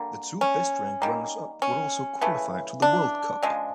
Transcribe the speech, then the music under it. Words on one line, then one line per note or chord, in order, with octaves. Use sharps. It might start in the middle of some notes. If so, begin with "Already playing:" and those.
The two best ranked runners up would also qualify to the World Cup.
Already playing: D3 G3 A#3
C#4
D#3 G3 A#3
C#4
C#3 E3 A3
D4
C#3 F3 G#3